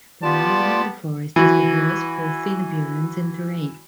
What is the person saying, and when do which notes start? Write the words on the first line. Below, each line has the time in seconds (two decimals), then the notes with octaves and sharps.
The land within the forest is diverse, both in appearance and terrain.
0.23 B3 F4 G4 D5 A5
1.36 E3 F#4